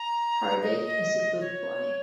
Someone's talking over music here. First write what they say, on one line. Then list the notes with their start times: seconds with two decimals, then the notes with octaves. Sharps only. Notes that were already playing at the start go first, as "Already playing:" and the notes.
Hardik is a good boy.
Already playing: A#5
0.62 D#5
1.40 C#5